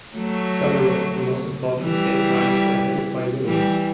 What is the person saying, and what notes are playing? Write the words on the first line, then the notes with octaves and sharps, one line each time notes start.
Several of the most important escape lines were headed by women.
F#3 A3
E3 G3
E3 G3